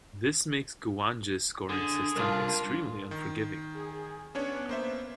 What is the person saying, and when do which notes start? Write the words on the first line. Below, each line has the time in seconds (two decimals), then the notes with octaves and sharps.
This makes Guwange's scoring system extremely unforgiving.
1.69 D3 G#4
2.15 C2 D4 F4 A#4
3.11 D#3
3.74 G#4
4.35 B3 C#4 D4 C#5
4.69 A#3 C5 E5